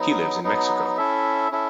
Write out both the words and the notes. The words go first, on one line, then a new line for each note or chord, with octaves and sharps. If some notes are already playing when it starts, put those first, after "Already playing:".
He lives in Mexico.
Already playing: F#3 B3 D#4
F#3 B3 D#4
C#4 E4 A4 E5
C#4 E4 A4 E5